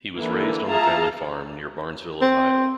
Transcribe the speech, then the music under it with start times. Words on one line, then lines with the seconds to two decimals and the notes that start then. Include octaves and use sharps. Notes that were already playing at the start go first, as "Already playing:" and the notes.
He was raised on the family farm near Barnesville, Ohio.
0.17 D3 E3 A#3 E4
0.68 F4 G#4 E5 F5 A5 A#5
2.21 C4